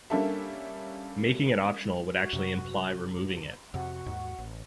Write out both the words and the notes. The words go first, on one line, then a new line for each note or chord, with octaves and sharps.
Making it optional would actually imply removing it.
G3 A#3 C#4 D4 A4 E5
F#4
F#2 C3 F#3
F2 C3 F#4 F#5
D#2 G#2
A1